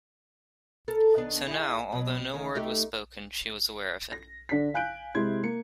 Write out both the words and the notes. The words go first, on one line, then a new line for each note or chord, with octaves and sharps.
So now, although no word was spoken, she was aware of it.
A4 A#4
D#3 B3 D4
E4 G#4
B2 F#3
D#3 A3 C#4
A3 D#4 G4
A#6
D3 D4 A4 B6
F5 G#5 F#6 G6 D7
C3 G#3 E4 C6 G#6
A#3 C#7